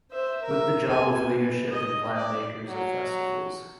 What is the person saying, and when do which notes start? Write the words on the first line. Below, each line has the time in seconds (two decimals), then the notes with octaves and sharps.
With the job of leadership and plan-makers of festivals.
0.11 C5 E5
0.42 A#4 E5
0.87 A4 G#5
1.22 B4
1.70 D#5
2.16 D5
2.68 F#3